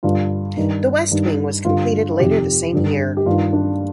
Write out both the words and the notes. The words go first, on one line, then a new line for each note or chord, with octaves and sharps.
The West Wing was completed later the same year.
G2 D3 F4
G2 D#3 D#4
G2 D#3
G2 D3 F4
F2 C3 D#3 G4
G2 D3
G4
G2 D#3 F4
D4